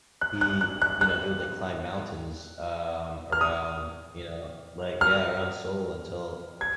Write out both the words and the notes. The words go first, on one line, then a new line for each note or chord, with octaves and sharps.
he, you know he would, like, climb mountains, um, around, you know, like yeah, around Seoul until,
F#6
F#6
F#6
F#6
F#6
F6
D#6
F6
G#6